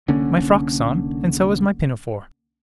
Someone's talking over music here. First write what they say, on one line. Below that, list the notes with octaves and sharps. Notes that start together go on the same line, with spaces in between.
"My frock's on, and so is my pinafore."
C2 D3 A#3 C#4